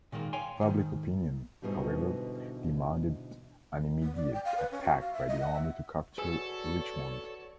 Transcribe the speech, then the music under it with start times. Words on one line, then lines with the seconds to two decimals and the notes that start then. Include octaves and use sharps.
Public opinion, however, demanded an immediate attack by the army to capture Richmond.
0.12 A#2 D#3 G#3 A#3
0.33 C#5 F5 G5 G#5 C6
0.61 G#2 D#3
1.62 G#2 B2 D3 E3 G3
4.02 B3
4.16 D5
4.33 G5
4.45 F5
4.58 B4
4.71 C#4
4.84 F#4
5.01 F5
5.13 E5
5.27 D#5
5.41 F#5
5.54 E5
6.18 F#4 G#4 A4 B4 C#5 D5 E6